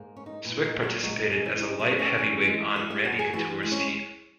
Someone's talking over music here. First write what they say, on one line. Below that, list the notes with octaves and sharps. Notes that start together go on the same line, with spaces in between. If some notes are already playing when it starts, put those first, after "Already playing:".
Swick participated as a light heavyweight on Randy Couture's team.
Already playing: G#2 A#3
C#4
D#4
A#2 E3 E4
D#4
A#2
F#3 F#4
F#3 G#3 F#4
D#4
C#4 D#4
E3 E4
C#3 D#4
F#3 F#4
C#3
C#4 C#5
E3
G#3
B3 E4 E5
E4 E5
F#2 F#4 F#5
G#4 G#5
E3 F#4 F#5
G#3
C#4 C#5